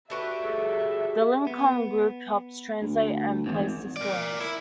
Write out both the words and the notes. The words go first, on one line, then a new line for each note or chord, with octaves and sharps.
The Lincoln Group helps translate and place the stories.
D4 F#4 G4 A4 B4 E5
A2 G#4 A4
B3
D2
G#1 E2 G#2
A#4 D5
E4